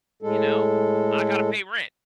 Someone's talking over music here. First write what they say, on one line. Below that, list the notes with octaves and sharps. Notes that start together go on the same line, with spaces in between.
you know, "I gotta pay rent,"
A2 G#3 A4